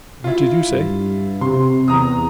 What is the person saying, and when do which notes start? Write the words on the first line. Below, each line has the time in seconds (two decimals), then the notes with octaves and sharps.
"What did you say?"
0.24 E4 F4
0.70 G2
1.41 C3 C6
1.88 E2 A#5 D#6